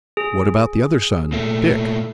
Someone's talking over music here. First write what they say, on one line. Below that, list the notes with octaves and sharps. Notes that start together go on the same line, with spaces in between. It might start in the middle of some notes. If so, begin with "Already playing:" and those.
"What about the other son--Dick?"
G#4
A#2 A3